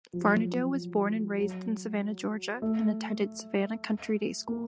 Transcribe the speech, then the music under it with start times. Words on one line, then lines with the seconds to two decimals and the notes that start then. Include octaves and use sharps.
Varnedoe was born and raised in Savannah, Georgia, and attended Savannah Country Day School.
0.13 F3
0.22 F#3
0.31 F3
1.38 F#3
2.62 A3
4.48 A#3